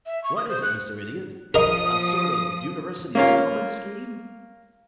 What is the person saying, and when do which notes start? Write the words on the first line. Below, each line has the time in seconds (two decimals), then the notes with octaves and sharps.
"What is it, Mr. Idiot--a sort of University Settlement Scheme?"
0.06 E5
0.24 C#6
0.36 D#6
0.49 C5
0.63 F#6
1.54 F3 A#4 D#5 D#6
3.15 A#3 C#4 F4